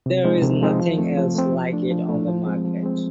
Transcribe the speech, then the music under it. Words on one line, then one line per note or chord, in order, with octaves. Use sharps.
There is nothing else like it on the market.
C3
F3 G#3 C4 D#4
C3
F3 G#3 C4 D#4
F3
A3 C4
F3
A3 C4
F3
A3 D4
F3
A3 D4
F3
G#3 C4
F3
G#3 C4